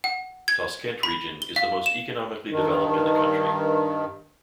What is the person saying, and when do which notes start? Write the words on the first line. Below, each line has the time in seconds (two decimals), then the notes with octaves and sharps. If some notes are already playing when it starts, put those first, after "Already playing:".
Toshkent Region is the most economically developed in the country.
0.04 F#5
0.48 G#6
1.03 B5
1.42 G7
1.56 F5
1.86 E7
2.50 G2 D#3